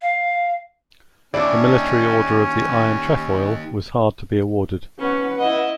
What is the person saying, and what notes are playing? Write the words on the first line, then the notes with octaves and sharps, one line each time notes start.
The Military Order of the Iron Trefoil was hard to be awarded.
F5
D#2 C#4 D4 E4 D5
C#4 B4 F#5
E4 D#5